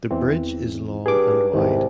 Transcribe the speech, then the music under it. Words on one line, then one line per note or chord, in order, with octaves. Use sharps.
The bridge is long and wide.
E2 E3 C4
G2 G#4 D6
C2 G#2 D#3